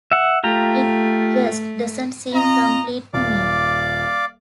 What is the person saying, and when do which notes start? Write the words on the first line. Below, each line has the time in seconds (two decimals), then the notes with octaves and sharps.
It just doesn't seem complete to me.
0.12 E5 F#5
0.44 A3 F4 G4 A#5
2.33 C4 F4 D#5 A#5
3.14 D#1 D5 F5 D6